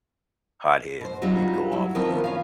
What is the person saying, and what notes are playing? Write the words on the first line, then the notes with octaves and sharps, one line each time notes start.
hothead, he'd go off in a
B2 C5
F#3 G3 C4 D4 D#4 F4
F#3 E4
D#3 F3 B3 C4 F4 A#4
C#4 F5